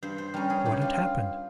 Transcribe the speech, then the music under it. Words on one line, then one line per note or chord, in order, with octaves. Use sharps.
What had happened?
G2 C5
C5
G3 C#4 A#4
G#4
G2 G4
F4